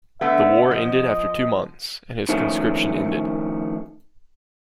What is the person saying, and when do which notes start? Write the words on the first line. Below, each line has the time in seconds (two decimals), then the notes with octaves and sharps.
The war ended after two months and his conscription ended.
0.21 D3 A3 B3 E5
0.71 F3 D#5
2.29 D#3 F3 A3 C#4